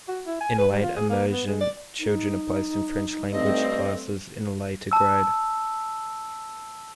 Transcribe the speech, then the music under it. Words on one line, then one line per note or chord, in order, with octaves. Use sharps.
In "late immersion", children are placed in French-language classes in a later grade.
F#4
E4
G#5
B4
G3
F4
G#4
A#3
B3
G#3
D5
D#4
G2 A3 C4 D#5
A5 E6